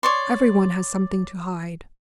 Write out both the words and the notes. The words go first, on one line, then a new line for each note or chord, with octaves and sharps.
Everyone has something to hide.
C#5 D5 C6